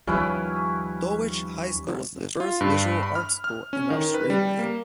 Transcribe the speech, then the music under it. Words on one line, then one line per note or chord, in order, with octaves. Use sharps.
Dulwich High School was the first Visual Arts School in Australia.
D#2 F3 G3 C#4 E4 B4
F4
G2
B5
F6
F6
C#4
D#3
B4
G3
A#3